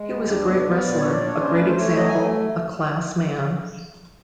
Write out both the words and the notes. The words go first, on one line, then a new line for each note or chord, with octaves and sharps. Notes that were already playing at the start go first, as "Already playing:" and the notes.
He was a great wrestler, a great example, a class man.
Already playing: G#3
D#2
D4
B3
B3
A#2 D5
D4 C#5
D5
D4 C#5
C#4 C5
A3 B4
C5
A3 C#5
F#3 D#5
G#5
A3